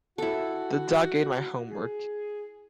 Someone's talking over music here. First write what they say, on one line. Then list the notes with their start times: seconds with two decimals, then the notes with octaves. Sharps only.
The dog ate my homework.
0.18 E4 F#4 A4
1.70 G#4